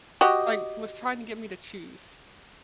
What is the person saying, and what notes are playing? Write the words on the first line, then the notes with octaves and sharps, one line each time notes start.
like was trying to get me to choose.
F#4 G4 D#5